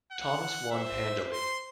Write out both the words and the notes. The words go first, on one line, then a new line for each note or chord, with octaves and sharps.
Thomas won handily.
F#5
C5 E5
C6